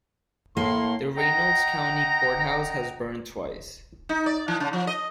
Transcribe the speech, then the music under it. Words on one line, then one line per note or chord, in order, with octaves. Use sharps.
The Reynolds County Courthouse has burned twice.
A2 A#3 C6
D#5 F#5 G5 A#5
D#4
D5
E3
C#3
F3
D#5